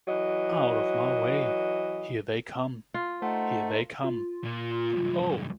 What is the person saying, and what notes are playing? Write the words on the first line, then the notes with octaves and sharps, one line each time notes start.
Out of my way! Here they come! Here they come! Oh!
E3 F#3 D#5
F4
A3 D#4 C5 F#5
F4
A#2
C2 F#2